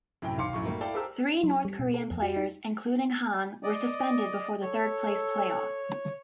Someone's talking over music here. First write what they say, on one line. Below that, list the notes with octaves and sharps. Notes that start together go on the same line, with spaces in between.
Three North Korean players, including Han, were suspended before the third place play-off.
F#2 A2 C3 G5
B1 D#3 F5 C6 D6 C#7
F#2 A2 C#6
G3 A3 A#3 D#4 F#4
E4 A4 D5 F5 G5
G4 G#4 A#4 C5 A5 E6
F#3
G3
B2
A4
F2
F#4
D#4
D5 D#5
A4 C#5